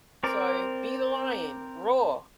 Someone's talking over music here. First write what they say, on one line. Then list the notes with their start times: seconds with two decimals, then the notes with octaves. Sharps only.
So, be the lion, roar.
0.23 C4 A#4 D5